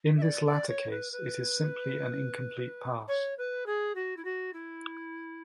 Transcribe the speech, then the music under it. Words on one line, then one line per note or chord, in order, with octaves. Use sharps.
In this latter case, it is simply an incomplete pass.
E5
D5
D5
C#5
B4
B4
C#5
B4
G#4
F#4
E4
F#4
E4